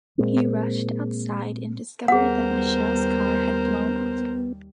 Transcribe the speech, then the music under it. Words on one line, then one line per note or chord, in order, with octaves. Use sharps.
He rushed outside and discovered that Michelle's car had blown up.
A#2 G#3 A#3 C4
D#2 G3 B3 G#4 A#4 C5 F#5